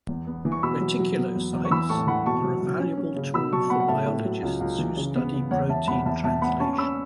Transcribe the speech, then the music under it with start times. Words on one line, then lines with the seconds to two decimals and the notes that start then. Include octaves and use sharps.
Reticulocytes are a valuable tool for biologists who study protein translation.
0.09 E2
0.27 B3
0.45 E3
0.52 C#6
0.63 B2 B5 E6
0.81 F#3
0.99 F#3
1.17 B3
1.36 E2
1.53 E2
1.65 C#6
1.71 E3 B5 E6
1.89 A2 A5 C#6
2.07 E3 F#5 B5
2.26 B2 A5 C#6
2.43 F#3
2.62 F#3
2.79 C#4
2.98 C#4
3.16 C#3
3.34 B2 B5 E6
3.52 F#3 A5 C#6
3.70 B3 F#5 B5
3.80 F#5
3.88 A2 E5 A5
4.06 A2
4.25 F#3
4.43 C#2
4.61 C#2
4.79 E3
4.97 C#3
5.15 B3
5.34 C#3
5.51 E2 C#5 F#5
5.69 E2 E5 A5
5.88 E2 F#5 B5
6.06 E2 E5 A5
6.24 E2 E5 A5
6.42 B3 F#5 B5
6.60 C#4 A5 C#6
6.73 C#6
6.78 C#4 B5 E6